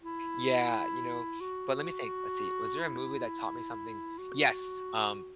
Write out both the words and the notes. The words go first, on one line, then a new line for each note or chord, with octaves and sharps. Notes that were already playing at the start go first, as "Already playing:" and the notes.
Yeah, you know, but let me think. Let's see, was there a movie that taught me something? Yes, um,
E4
F#4
E4
F#4